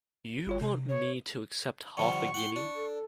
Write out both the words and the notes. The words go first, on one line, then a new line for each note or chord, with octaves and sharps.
You want me to accept half a guinea?
G1 F4 C#5
C3
C#5
D3 F3 G3 F#5 C#6
E4 F#5 G5 C6
D4
A4